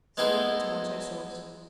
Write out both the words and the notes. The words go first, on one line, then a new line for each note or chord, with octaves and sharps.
Serve with tomato-sauce.
G#3 B3 D#4 E4 G#4 C5